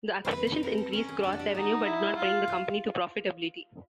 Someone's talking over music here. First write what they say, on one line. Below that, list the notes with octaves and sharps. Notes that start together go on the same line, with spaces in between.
The acquisitions increased gross revenue but did not bring the company to profitability.
C5
C4 B4
B4
A#4
A4
C#4 A#4
G#4
D4 G4
F#4
G4
D#4 F#4
E4
F4
F4